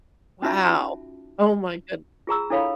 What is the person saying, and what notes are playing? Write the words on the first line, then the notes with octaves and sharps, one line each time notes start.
Wow. Oh my good
C#4 D#4 F4 F#4 E5 A5
F4 G#4 A#5 E6
D4 E4 A4 C#5 F5 B5